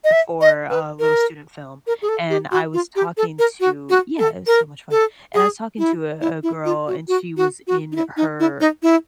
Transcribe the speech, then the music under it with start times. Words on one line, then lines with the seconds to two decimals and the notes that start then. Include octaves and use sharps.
for a little student film, and I was talking to yeah, it was so much fun and I was talking to a a girl, and she was in her
0.04 D#5
0.12 E5
0.41 D#5
0.70 B4
0.99 A#4
1.87 A#4
2.02 G#4
2.09 A4
2.30 G4
2.51 F#4
2.74 F4
2.96 G4
3.17 A4
3.39 A#4
3.60 F#4
3.90 F#4
4.19 A4
4.47 A#4
4.91 A4
5.34 G#4
5.78 E4
6.21 E4
6.43 E4
6.65 F4
6.87 F#4
7.08 F#4
7.37 F#4
7.67 F#4
7.92 D#4
7.96 E4
8.17 D#4
8.40 E4
8.60 D#4
8.83 E4